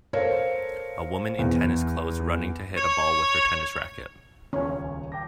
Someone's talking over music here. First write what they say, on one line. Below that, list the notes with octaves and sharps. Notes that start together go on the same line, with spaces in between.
A woman in tennis clothes running to hit a ball with her tennis racket.
A4 A#4 C5 C#5 F5
E2
C#5
D#1 C#2 C#4 C#5
G5 D6 A#6